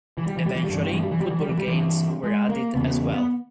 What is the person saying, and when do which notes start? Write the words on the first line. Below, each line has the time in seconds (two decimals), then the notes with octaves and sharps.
Eventually, football games were added as well.
0.18 E3
0.27 G3
0.37 E3
0.46 G3
0.55 E3
0.64 G3
0.70 G2 E3
0.83 G3
0.93 E3
1.02 G3
1.11 E3
1.20 G3
1.30 E3
1.40 G3
1.49 E3
1.58 G3
1.68 G2 E3
2.24 G#3
2.49 A#3
2.74 E2 C#3 B3
2.88 B3
3.13 B3